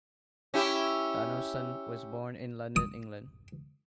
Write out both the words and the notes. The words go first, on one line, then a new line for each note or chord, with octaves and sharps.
Donaldson was born in London, England.
C#4 E4 G4
D#6